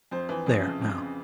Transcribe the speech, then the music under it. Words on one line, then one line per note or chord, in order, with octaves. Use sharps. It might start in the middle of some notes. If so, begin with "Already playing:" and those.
There, now!
F2 C5
E3
F2
C#3
F2
C#3